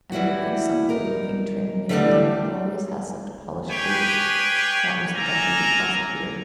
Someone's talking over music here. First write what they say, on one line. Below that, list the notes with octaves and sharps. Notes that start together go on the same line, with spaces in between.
And that "consumptive-looking" trim dandy, "who always has such polished boots"--that was the deputy prosecutor.
E3 G3 E4 F#4
D#4 A#4
D3 E3 G3 A3 C#4 D4
G4 G#4 B4 C#5 G5 G#5
A#3 A4 A#4 G#5 A#5